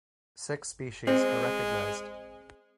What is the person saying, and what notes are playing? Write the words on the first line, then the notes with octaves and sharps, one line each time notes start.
Six species are recognized.
G#3 C4